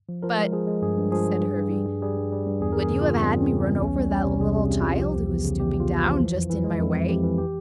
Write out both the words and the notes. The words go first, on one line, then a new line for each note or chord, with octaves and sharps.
"But," said Hervey, "would you have had me run over that little child, who was stooping down just in my way?"
F3
F3 A#4
G#3
F3 G#4
G#3
G2 G#4
G2
F3 G#4
G2
G2
G2
G3
G2
G3 G#4
G2
G3
G2
E2 G#4
E2 A#4
G#4
C#3
F4
E2
G3 C4
E2 C4
C#3
E2 C#4
C2 C#4
G3
G3 C#4
C3
C2 G#4
C3
C3
C2 F4
F3 G4
E2
E2
C#3
E2 G4
E2
F4
E2
F4
F3
E3
F2
E3
G#3
F2 E4
F2
F2 G4
E3
G4